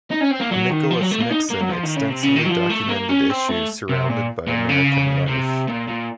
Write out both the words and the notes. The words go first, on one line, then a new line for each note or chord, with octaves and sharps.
Nicholas Nixon extensively documented issues surrounded by American life.
D#4
C#4
C4
A#3
F#3
D#3
F3
F#3
A3
A#3
D#4
A#3
F#3
F3
D#3
C#3
C3
C#3
D#3
F#3
F3
A3
A#3
C#4
C4
A3
C3
A#2
A#2
C#3
C3
A#2
A#2